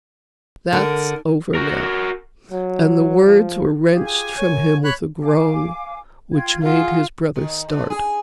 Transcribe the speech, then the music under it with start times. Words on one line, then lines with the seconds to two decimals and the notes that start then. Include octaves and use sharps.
"That's over now." And the words were wrenched from him with a groan, which made his brother start.
0.73 D3 A#4
1.55 F#4 A#4
2.52 F#3
3.25 F3
3.94 F4 G4 G#4
4.06 G#5
4.38 F#2 C#5
4.84 C#5 B5 F#6
5.23 F5 G#5 D6
6.32 F4 G5 G#6
6.62 F4 G#4 F#5
7.36 D#3
7.69 D3
7.90 G#4